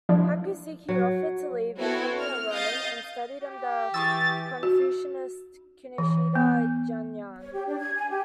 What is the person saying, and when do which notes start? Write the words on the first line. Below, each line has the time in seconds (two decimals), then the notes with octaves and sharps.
Hakuseki offered to leave, becoming a ronin and studied under Confucianist Kinoshita Jun'an.
0.09 F3 D4 E4
0.89 F#3
1.78 B3 C4 E4 F#4 A4 C#5
2.19 F6
2.51 D#5 F5 D#6 G6 A6
3.42 G4
3.94 E3 G#4 C#6 E6 A6
4.63 F#4
5.98 E3
6.35 B3
7.40 C#5
7.53 G4
7.67 D4
7.79 G#6
7.95 G#5
8.10 G4